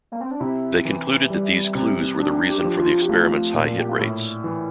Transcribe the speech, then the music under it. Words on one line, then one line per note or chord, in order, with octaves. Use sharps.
They concluded that these clues were the reason for the experiment's high hit rates.
A#3
C4
D4
C3 E4
E3
G3
C3
D4
G4
F3
F4
G4
A3 F4
A#2
G4
F4
A2 E4
E3